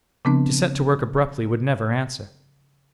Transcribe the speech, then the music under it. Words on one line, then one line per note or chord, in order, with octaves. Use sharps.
To set to work abruptly would never answer.
C#3 F3 B3 C4 D4